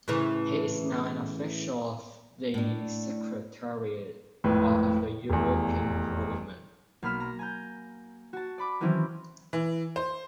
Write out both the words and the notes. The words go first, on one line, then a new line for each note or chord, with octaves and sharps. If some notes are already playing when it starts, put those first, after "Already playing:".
He is now an official of the Secretariat of the European Parliament.
A2 C#3 E3
A2 D4
G#1 F2 A2 B4
F1 E2
B1 A#3 B5 F6 B6 E7
A#5
G#5 A#5 G6
F#4 A5
D5 B5 D6
D#3 E3 F#3 C4 C#4 E4
E3
C5